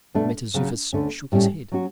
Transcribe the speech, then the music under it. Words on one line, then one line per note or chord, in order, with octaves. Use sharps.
Mentezufis shook his head.
B2 A3 D4
C#3 F#3 C#4
D2 D3 A3 C#4
A2 G3 C#4
F#3 C#4 F#4